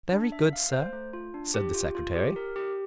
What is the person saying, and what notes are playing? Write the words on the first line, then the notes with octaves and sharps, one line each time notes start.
"Very good, sir," said the secretary.
D4
E5
F5
C5
A3
F4
D4
G4
F4
F4
G4
A#4
G4